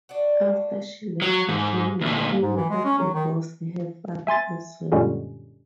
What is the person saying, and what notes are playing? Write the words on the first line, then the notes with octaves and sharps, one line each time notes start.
After she left the family her mother divorced her father as well.
D4 F#4
F#3
G#2
D2 A#2
G#2
E3
G#3
C#4
F#3
D#3
E5 G#5 C6 A6
F#2 A#2 D3 G3 G#3 C#4